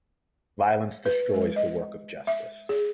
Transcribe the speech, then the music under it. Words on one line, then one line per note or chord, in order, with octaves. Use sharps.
Violence destroys the work of justice.
B4
G#3
D#5
E5
G#4